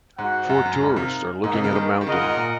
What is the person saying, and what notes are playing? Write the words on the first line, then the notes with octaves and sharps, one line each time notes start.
Four tourists are looking at a mountain.
G#2 F#4 C5 F#5
F#2
F#2
G#2 D#4 A#4 F5
C3
G#2 A#3 D#4 A#4 D#5 F#5
C3
C#3
D#3
D#3
C#3 F4 A#4 D#5 F#5
G#2
A#2